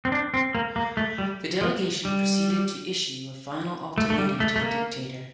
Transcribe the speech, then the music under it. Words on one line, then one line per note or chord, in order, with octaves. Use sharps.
The delegation proceeded to issue a final ultimatum to the dictator.
C4
D4
C4
A#3
A#3
A3
G3
F3
G3
A3
A3
G3
A3
A3
A#3